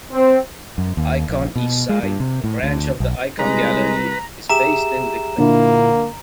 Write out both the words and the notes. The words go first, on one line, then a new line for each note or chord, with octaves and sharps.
Ikon Eastside, a branch of the Ikon Gallery is based in Digbeth.
C4
F#2
D#2
A#1
B2
G#3
G2
C3
A2
D2
B1
C2 G#3 B4 A#5
G4 G#4 E5 A#5 E7
A#2 D3 A#3 E4